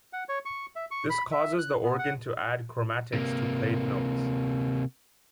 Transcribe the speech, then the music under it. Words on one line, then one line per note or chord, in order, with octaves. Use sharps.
This causes the organ to add chromatics to played notes.
F#5
C#5
C#6
E5
C#6
B5
E5
F#6
B3
F#5
C3 A#3